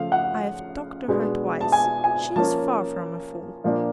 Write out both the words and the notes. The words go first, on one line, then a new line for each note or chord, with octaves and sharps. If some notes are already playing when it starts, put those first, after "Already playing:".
I've talked to her twice, she is far from a fool.
Already playing: C#3 F3 A3 F5
F#5
B2 G#3 B3 D4
A5
G#5
G#5
F3 A#3 C#4 A5
A#2 F3 A#3 D4